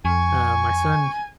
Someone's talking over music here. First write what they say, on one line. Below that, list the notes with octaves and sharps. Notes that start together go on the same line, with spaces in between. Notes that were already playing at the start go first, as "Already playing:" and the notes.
uh, my son
F2 G#5 C#6